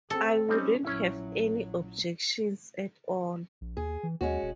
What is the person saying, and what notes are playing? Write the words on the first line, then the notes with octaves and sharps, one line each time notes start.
I wouldn't have any objections at all.
C4 A4
G3 C4 C#4 D#4
A#1 F#3 C#4 E4
A#1
D#2 G#4
E3
D#2 G#3 C#4 F#4
E1